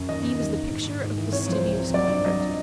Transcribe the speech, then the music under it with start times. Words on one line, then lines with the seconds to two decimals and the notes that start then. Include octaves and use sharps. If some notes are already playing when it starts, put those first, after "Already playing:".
He was the picture of fastidious comfort.
Already playing: F#2
0.09 D#2 D#5
0.24 D#2
0.40 D#2
0.55 D#2
0.70 G#2
0.86 G#2
1.02 G#2
1.17 E3
1.33 C3 C#5
1.48 F3 C5
1.63 C2
1.79 C3
1.94 F#3 D5
2.09 G2
2.25 F#3 D#5